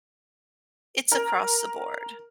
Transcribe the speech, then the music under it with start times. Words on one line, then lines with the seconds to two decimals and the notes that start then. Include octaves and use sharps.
it's across the board.
1.12 A#4